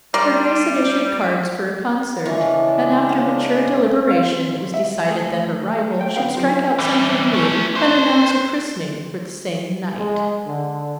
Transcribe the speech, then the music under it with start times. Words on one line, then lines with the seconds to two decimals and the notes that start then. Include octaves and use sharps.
Her Grace had issued cards for a concert; and after mature deliberation it was decided that her rival should strike out something new, and announce a christening for the same night.
0.14 G3 A#4 D5 C6
2.25 C#3 E3 G#3 D4 F4 C#6
3.09 A#3
4.11 C4 F5
4.74 E5
5.10 A3 G#4 G#5
6.01 G5
6.16 D3 B3 F#4 B4 F5 G5
6.34 F#3 C4 F4 G4
6.79 E3 G3
7.34 A3 C#4
7.76 B4 C5
9.98 G#3
10.46 D3